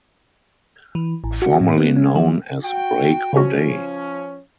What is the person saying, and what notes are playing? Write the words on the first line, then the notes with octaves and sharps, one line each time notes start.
Formerly known as Break O'Day.
E3
A1
F#4
A2
B3
C#4
F3
F#4 G5
C#3 F3 C#4 F#4